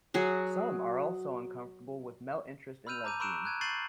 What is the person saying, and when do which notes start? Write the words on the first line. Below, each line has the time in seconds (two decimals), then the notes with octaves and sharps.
Some are also uncomfortable with male interest in lesbians.
0.14 F#3 F#4 G#4
2.87 B5 E6 F6 G6 D#7 F7
3.04 A5 A#5 D6 G6 D#7
3.20 B5 C#6 E6 F#6 D7 E7
3.45 F#6 G#6 D#7
3.61 C#6 G6 A6 C7 D#7 F#7